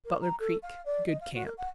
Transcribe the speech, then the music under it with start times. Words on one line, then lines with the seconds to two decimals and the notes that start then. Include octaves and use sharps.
Butler Creek.--Good camp.
0.05 A#4
0.21 A#5
0.39 A4
0.62 F5
0.85 D5
1.07 D#5
1.21 F5
1.33 F#4
1.46 A#4
1.58 F#5